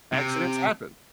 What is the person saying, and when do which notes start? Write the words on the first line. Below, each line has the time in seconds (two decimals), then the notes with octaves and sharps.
Accidents happen.
0.13 C3